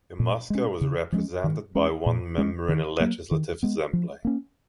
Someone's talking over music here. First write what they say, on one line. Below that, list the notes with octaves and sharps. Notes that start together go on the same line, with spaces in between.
Yamaska was represented by one member in the Legislative Assembly.
A#2
G#3 C#4
C#3
F3 G#3 C#4
D#3
G#3 C#4
A#2
G#3 C#4
D#3
F#3 A#3
D#3
G#3 B3
F3
A#3 C#4